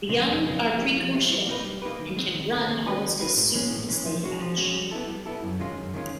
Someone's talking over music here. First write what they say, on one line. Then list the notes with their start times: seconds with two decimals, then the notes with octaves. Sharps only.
The young are precocial, and can run almost as soon as they hatch.
0.09 C#3 F3 G#3 B3
0.27 F2
0.44 C#3 F3 G#3 B3
0.61 F3
0.78 G#3 C4 E4 G4
0.97 F3
1.14 G#3 C4 E4 G4
1.30 G3
1.47 A#3 D#4 G4 B4
1.64 G3
1.82 A#3 D#4 G4 B4
2.00 D#3
2.17 G#3 C4
2.34 D#3
2.50 G#3
2.55 C4
2.68 D#3
2.84 G#3 C#4 F#4 B4
3.02 D#3
3.19 G#3 C#4 F#4 B4
3.37 A2
3.54 E3 G#3 C#4
3.71 A2
3.89 E3 G#3 C#4
4.06 F3
4.23 G#3 C#4 F#4
4.40 F3
4.57 G#3 C#4 F#4
4.74 G3
4.91 B3 E4 A4
5.08 G3
5.26 B3 E4 A4
5.44 F#2
5.60 D#3 G#3 C#4 F4
5.77 F#2
5.94 D#3 G#3 C#4 F4